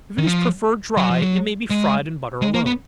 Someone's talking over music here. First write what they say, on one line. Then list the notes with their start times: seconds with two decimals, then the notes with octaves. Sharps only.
If it is preferred dry, it may be fried in butter alone.
0.18 D#3
0.25 F3
0.97 F#3
1.10 F3
1.22 F#3
1.70 G#3
2.42 G#3
2.54 A#3
2.66 B3